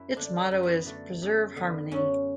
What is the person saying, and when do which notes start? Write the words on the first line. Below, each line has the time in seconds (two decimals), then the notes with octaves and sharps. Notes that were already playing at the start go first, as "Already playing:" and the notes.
Its motto is "Preserve Harmony".
Already playing: F#2 E4
0.16 D3 D4
0.51 F#2
0.63 B3
0.86 D3 A3
1.22 F#2
1.56 D3 B3
1.92 F#2 C#4